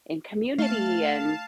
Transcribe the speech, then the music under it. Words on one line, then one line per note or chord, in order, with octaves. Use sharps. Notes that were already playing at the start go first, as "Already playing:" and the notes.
in community, and
A3 F5 A5